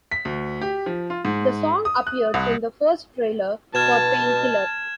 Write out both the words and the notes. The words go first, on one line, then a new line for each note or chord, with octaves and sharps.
The song appeared in the first trailer for "Painkiller".
B6
D2
G4
F3
F4
G#2
D#6
F#6
C2
B2 A5 F6 G#6 E7